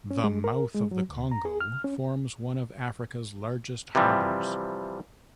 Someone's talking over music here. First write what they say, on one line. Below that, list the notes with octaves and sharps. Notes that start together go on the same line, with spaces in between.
The mouth of the Congo forms one of Africa's largest harbours.
C#4
G#3
A#4
G#3
F#3
D2
A#5
G#4
F6
C#4
C3 E3 F3 G3